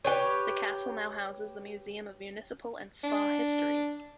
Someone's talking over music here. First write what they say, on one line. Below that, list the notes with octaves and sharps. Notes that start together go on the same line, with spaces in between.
The castle now houses the Museum of Municipal and Spa History.
G4 B4 C#5
D4